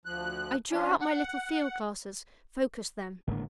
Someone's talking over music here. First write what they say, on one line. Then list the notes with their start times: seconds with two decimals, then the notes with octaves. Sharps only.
I drew out my little field-glasses, focussed them.
0.05 D2 F3 F#6
0.71 F3 C#4 D4
1.01 F#5
3.28 G#1 A2 D3 G#3 A#3 D4